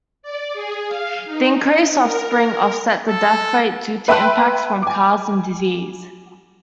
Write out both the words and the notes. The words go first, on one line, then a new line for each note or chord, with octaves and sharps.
The increased offspring offset the death rate due to impacts from cars and disease.
D5
G#4
F5
D#4
A#4
A4
B4 E5 G5 A5 C6 F#6
G#5 D6